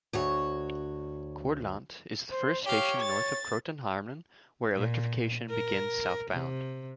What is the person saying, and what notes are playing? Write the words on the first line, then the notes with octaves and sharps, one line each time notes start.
Cortlandt is the first station north of Croton-Harmon, where electrification begins southbound.
D2 F#4 C#5
C5
G4 C#5 F5
A6
A#2
A#4
C3